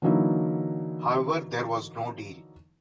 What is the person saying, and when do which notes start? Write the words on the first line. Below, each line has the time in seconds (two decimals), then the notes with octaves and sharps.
However, there was no deal.
0.02 D3 E3 F#3 A#3 D#4 E4